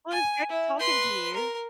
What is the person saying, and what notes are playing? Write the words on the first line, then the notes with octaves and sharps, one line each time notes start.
Well, it's great talking to you.
G#5
E4
B4 C6
A#4